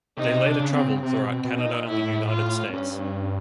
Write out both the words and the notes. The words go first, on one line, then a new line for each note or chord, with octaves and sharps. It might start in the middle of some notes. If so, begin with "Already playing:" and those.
They later traveled throughout Canada and the United States.
C3 D#4
D4
C#3
C4
C3 C4
B2
C4
B2
D#4
A#2
A2 E4
F4
G2 C#4
C#4